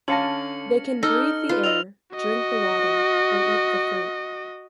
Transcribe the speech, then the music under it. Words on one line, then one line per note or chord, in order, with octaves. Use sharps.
They can breathe the air, drink the water and eat the fruit.
D3 C#4 F5 A5 A#6 C#7 F#7
D#4 A4 F6 A#6
F4 B4
D5 D#5 E6 F7
F#4 D#5